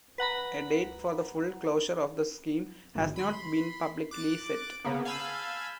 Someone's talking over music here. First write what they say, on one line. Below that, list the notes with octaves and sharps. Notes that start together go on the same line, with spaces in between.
A date for the full closure of the scheme has not been publicly set.
B4 F#5 A#5 B5
G#1
B5 C6
D6 F#6 A6
C#3 A#3 B3
F5 G#5 A5 B5 E6 G6